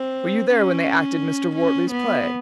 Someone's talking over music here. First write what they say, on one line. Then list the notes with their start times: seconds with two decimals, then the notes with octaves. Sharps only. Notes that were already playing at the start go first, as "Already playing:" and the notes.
Were you there when they acted Mr. Wortley's play?
Already playing: C4
0.52 C#4
1.56 C#4
1.91 B3